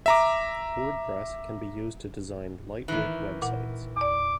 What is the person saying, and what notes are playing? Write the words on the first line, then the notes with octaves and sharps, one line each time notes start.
Wordpress can be used to design light weight websites.
E5 A#5 D6
D#3 E3
A#2 F#5
E2 D5 D6